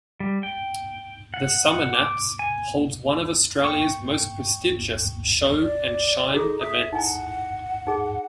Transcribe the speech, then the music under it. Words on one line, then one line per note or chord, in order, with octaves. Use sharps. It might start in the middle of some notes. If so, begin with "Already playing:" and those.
The Summernats holds one of Australia's most prestigious Show and Shine events.
G3
G5
F#5
F#5
D6
G#5
G5 C#6
D5
D#4 F#4 G#4 A4
E5 D#6
D#4 E4 F#5 G#5
D#4 G#4